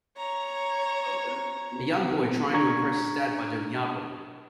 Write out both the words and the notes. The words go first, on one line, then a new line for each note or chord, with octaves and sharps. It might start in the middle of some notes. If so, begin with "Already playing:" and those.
A young boy trying to impress his dad by doing yard work.
C#5 A#5
D4 A#5 C#6 G#6